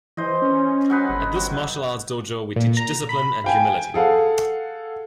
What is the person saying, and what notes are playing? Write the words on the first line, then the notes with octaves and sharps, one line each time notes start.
At this martial arts dojo we teach discipline and humility.
E3 C5 D#5
C#4
F#3 D#4 B4
G1
F#3
A#2
A#5
B5
F5 G5 G#5
G#4 A4 F5 F#5